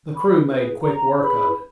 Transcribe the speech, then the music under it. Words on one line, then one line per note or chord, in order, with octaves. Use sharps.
The crew made quick work of it.
B5
E4 G#4 B4
A#5
E4 G#4 B4 B5